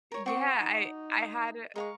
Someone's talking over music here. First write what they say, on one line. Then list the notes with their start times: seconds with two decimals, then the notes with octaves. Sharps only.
Yeah, I I had a
0.12 A#4 C#5
0.26 C4 F#4 C#6 D6
0.60 D#4
1.76 G#3 A#4 F5 C#6